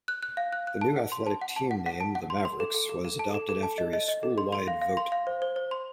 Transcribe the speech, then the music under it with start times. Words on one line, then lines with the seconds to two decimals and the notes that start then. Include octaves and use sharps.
The new athletic team name-the Mavericks-was adopted after a school-wide vote.
0.08 F#6
0.23 F#6
0.37 F5
0.53 F#6
0.67 F#6
0.81 A5
0.96 F#5
1.12 C6
1.26 A5
1.41 F#5
1.56 A5
1.71 F#5
1.86 F#5
2.00 A5
2.15 F#5
2.30 C6
2.45 C6
2.60 A4
2.74 A4
2.89 A4
3.05 A4
3.19 A5
3.34 A4
3.49 A4
3.63 A5
3.78 D#5
3.93 D#5
4.08 D#5
4.23 A4
4.38 C6
4.52 C6
4.68 F5
4.81 F5
4.97 C6
5.12 F5
5.27 C5
5.42 C5
5.56 C5
5.71 C6